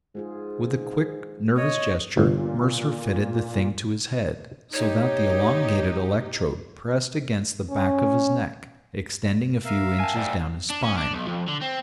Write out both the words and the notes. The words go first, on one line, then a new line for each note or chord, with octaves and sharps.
With a quick, nervous gesture, Mercer fitted the thing to his head, so that the elongated electrode pressed against the back of his neck, extending a few inches down his spine.
G#2 G#3 F4 G#4
C#5 D#5
G1 A#2
D#4 G4 C#5
C#4
A#4 E5 F5
G#5 A5
D5 G5 G#5
D4
C#4
D4
B1
F2
D3
C4